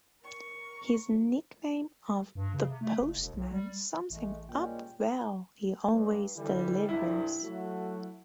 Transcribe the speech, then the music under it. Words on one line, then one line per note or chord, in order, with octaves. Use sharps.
His nickname of 'The Postman' sums him up well, he always delivers!
A#4 C#6
G2
C#3
C3
A3
F#1
E1
B1
G3
A1 G#3 A3
A#2 G3 G#3 C#4 G5
G2
D3 E3 G3
C2 G2 E4
F#3 A3 F#4